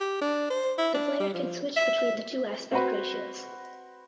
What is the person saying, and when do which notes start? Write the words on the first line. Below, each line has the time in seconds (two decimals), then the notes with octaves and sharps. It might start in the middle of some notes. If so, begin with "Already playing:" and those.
The player can switch between the two aspect ratios.
0.01 G4
0.21 D4
0.50 C5
0.78 E4
0.95 D4
1.20 G3
1.34 F3
1.77 E5
2.72 C4 F#4 B4